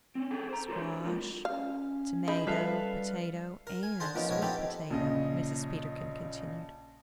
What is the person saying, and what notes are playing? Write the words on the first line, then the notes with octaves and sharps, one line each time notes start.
"Squash, tomato, potato, and sweet potato," Mrs. Peterkin continued.
C4 C#4
G#4 A4 G5
C5 A#5
F#4 G4 A#4 C5 C#5
D4
F#3 G#3 A#3 F4
C#4 F5
D#4 G#4 B5
G3 F4 A4 B4 E5 F5
A#4
G#5
D3 G#4 C5 A5 C6
F3 A#3 B3 C#4 D#4
A#1 B3 C#5 D#5
B3 C4 D#4 G4 A4
A#1 C#3 D#5